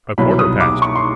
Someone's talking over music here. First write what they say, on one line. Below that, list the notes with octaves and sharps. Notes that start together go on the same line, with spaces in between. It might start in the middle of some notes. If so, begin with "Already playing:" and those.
A quarter past.
C2 B2 F#3 B5
D#6
D6
C#6
C6